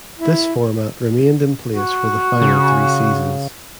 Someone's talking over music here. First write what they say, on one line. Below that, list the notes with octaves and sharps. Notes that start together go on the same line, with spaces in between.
This format remained in place for the final three seasons.
E4
F#4
C#3